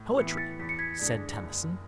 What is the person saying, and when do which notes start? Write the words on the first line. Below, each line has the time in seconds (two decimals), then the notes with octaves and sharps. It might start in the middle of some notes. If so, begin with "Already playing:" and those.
"Poetry," said Tennyson.
Already playing: A2
0.19 E3 B3 C#7
0.29 B6
0.37 A6 C#7
0.59 E2 B6
0.69 C#7
0.79 G#6 B6
0.99 D3 G#3 D4
1.39 F#1